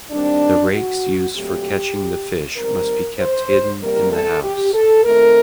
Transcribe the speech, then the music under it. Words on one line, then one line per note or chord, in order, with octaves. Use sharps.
The rakes used for catching the fish must be kept hidden in the house.
D#3 G3 C4 D4
F#4
A#2 F#3 A3 C4 G4
D#3 G3 C4 A#4
C5
C3 G3 A#3 A#4
A4
G4
A4
D#3 A3 C4 A#4